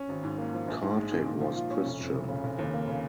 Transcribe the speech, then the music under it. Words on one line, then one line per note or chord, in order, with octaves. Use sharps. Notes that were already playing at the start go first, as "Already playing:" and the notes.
Kartik was Christian.
Already playing: C#4
G#1
G#2
A#3
F3
A#1
G#2
G#3
D#3
A#2
F3
F4
C#4
F1
F2
F1
C#3
F1
D#2
A#3
C#3